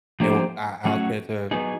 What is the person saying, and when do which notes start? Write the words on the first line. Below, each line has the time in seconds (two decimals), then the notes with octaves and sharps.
and I I'll catch her
0.20 F3 A#3 D4 G4 C5
0.85 F#3 A3 C#4 F#4
1.51 F#3 B3 D#4 G#4